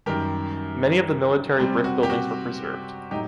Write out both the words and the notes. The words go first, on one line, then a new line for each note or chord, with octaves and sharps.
Many of the military brick buildings were preserved.
F#2 D#3 G3 G4 A#4
C3 G3 C4
F#4
G4
F#4
A2 F#3 D#4 G4